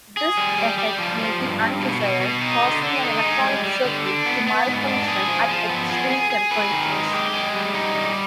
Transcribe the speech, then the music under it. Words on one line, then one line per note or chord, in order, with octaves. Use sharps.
This effect may be undesired, causing an electronic circuit to malfunction at extreme temperatures.
G#4
G3
G3
G3
F3
F3
G2
G2
B2
B2
B2
D#4
D3
D3
D#4
G#3
G3
G3
D3
D4
B3
B3
G#2
D4
G#4
F3
F3
B3
G#4
G#4
G#4
B4
D#3
G#3
G4
G#3
G3
D#4
G3